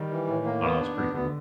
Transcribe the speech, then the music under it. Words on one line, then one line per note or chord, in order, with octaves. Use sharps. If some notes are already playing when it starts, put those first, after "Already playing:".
I don't know, it's pretty cool.
Already playing: D#3 G3
E3
A2
A#3
B3
D4
B3
D3 B3